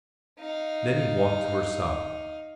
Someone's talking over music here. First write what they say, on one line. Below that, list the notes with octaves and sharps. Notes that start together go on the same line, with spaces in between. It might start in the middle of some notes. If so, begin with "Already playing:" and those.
Then he walked to her side.
D#4 F5